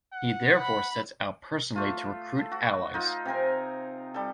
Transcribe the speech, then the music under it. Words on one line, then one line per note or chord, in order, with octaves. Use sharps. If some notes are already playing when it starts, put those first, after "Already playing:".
He therefore sets out personally to recruit allies.
F#5
B5
A3 F4
A4
F#4
D#4 F4
C3 C4 A#4 G#5
G3 A4